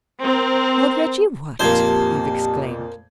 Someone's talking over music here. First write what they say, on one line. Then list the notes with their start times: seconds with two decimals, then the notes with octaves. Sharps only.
"Lord Reggie what!" Eve exclaimed.
0.20 C4 A#4
1.60 F2 A#2 A#3 G4 C5 A5 G#6